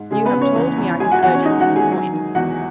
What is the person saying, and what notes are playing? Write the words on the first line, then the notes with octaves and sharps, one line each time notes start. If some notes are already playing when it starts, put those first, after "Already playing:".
You have told me I can urge and press a point.
Already playing: G#2
C#3 G#3 G#4
B3 B4
C#3
C#4 C#5
E2
E2
G#3 G#4 G#5
F#4 F#5
E2 F#4 F#5
C#4 C#5
G#3 D#4 D#5
F#4 F#5
D#3
G#4 G#5
F#3
D#3
E2 F#4 F#5